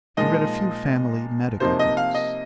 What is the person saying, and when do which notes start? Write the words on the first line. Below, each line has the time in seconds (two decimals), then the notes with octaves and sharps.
He read a few family medical books.
0.17 A#2 F3 G#3 D#4 D#5
1.60 C3 F3 A#3 D#4 C5
1.79 D#5
1.97 F5
2.14 D#5